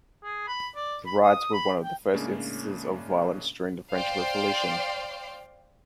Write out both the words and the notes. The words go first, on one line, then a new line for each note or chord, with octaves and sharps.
The riots were one of the first instances of violence during the French Revolution.
G#4
B5
D5
B5
D#6
B5
G5
A2 C#3 G#3 A#3 C#4 D4
C5 D5 F5 G5 C6